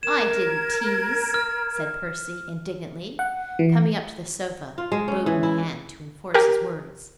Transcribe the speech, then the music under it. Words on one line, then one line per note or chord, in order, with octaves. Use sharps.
"I didn't tease," said Percy indignantly, coming up to the sofa, boat in hand, to enforce his words.
A#4 G#6 E7
F6
F#5
E3
F4
G#3
C#4
E3
E4
G4 A#4